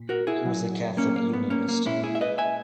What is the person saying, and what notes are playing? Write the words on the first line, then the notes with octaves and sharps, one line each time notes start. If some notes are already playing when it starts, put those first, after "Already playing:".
He was a Catholic Unionist.
Already playing: A#2
F#4 A#4
E4 G#4
C#3 F#3
A#3 C#4
A#3
B3
A#3 C#4
A#3
A#2 G#3 C#4 E4
E4 G#4
E5
B4 D#5
E5 G#5